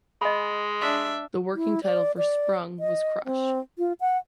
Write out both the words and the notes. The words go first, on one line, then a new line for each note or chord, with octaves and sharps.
The working title for "Sprung" was Crush.
G#3 D#5 G#5 B5
D4 E5
E4
D5
D5
D#5
C4
F4
F#5